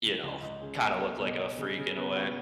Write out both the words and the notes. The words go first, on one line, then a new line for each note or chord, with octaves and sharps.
you know, kinda look like a freak, in a way.
C#3
C#2
C#2
C#3
B1
A3
B2
B2
C#3
C#3
B3
F#4